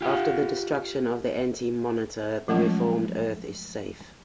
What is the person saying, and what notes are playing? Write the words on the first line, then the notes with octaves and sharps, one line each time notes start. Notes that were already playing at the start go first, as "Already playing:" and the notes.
After the destruction of the Anti-Monitor, the reformed earth is safe.
F4 G4 F5
F3 F#3 G#3 A3 C#4 F4